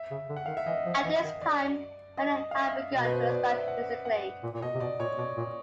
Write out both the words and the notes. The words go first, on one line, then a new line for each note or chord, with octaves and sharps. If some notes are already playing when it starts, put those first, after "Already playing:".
At this time, Brennan had begun to expand musically.
Already playing: E5
C#3
D3
F#5
D#3 F5
E5
E3 D#5
F3
E3 D#5
D#3
D5
D#5
F5
E5
B2 D#5
B4
C5
D5
E5
F#5
F#5
A#2
A#2
B2 D#5
C3
B2 D5
A#2 C#5
B2 D5
A#2